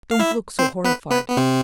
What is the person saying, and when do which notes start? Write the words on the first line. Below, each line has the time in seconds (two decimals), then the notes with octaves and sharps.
Don't look so horrified.
0.11 F5
0.19 E4 E5
0.59 C4 C5
0.84 B3 B4
1.11 B3 B4
1.30 B3
1.37 C3 C4